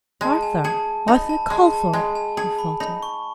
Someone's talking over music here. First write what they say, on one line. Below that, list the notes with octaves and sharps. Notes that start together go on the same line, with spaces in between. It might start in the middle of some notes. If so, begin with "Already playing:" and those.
"Arthur-- Arthur Calthorpe!" he faltered.
G#3 A5
G#5
G#4 A5
D#4 B5
A5
G#3 A5
A5
G#3 G#5
G#5
G#4 A5
B5
D#4 B5
C#6